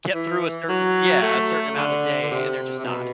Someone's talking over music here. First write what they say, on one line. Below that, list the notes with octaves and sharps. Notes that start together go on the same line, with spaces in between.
get through a certain yeah, a certain amount a day and they're just not.
E3
F#3
A3
D3
D3
C3
C3
B2